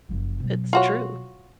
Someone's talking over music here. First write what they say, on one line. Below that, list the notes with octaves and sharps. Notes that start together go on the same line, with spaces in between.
It's true.
F#1 F3
B2 F#3
F4 F#4 C#5